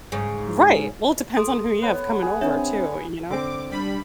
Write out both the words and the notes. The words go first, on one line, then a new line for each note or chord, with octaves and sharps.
Right. Well, it depends on who you have coming over too, you know?
G#2 C#3
A4 C6 D#6
B3 C#5
G#4
C4 D4 C#5 E5
D3 C4 D6
G3 D4 B5